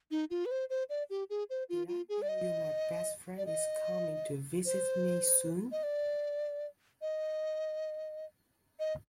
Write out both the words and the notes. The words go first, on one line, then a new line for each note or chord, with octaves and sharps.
Did I tell you my best friend is coming to visit me soon?
D#4
F4
B4
C5
C5
D5
G4
G#4
C5
F4
F4
G#4
D5
D#5
D5
D#5
C5
D#5
D5
D#5
D#5